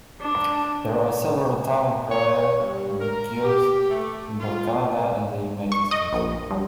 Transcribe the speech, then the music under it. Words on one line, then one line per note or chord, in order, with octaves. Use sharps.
There are several town crier guilds in both Canada and the United States.
D4
C#5
G2
A#4
G4
A3
F4
C#6
D#5
A#1
G2